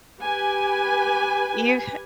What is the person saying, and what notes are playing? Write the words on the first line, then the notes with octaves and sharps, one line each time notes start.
you c
G4 B4 G#5